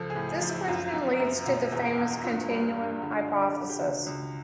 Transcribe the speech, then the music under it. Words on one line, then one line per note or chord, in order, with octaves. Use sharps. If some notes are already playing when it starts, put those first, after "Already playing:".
This question leads to the famous continuum hypothesis.
Already playing: C#2 F3 A4
G#4
A2
G#4
F3 F4
E4
F#4
F#2 F4
F#2
F#2
B2 F4
E2
E2
G2 F4
G3
G2
D3
D3
D3
G4
C#2 F#4
C#2